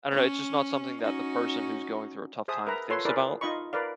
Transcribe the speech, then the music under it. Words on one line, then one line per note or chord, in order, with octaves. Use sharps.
I don't know, it's just not something that the person who's going through a tough time thinks about,
C#4
C#4 D#4 F#4
G#4 C5 E5 A5 D#6
A#4 B4 E5 A#5
F4 A4 B4 C#5 C6
E4 G#4 A#4 B4 D5
D#4 F4 D#5 B5 C#6
A#4 B4 D5 F5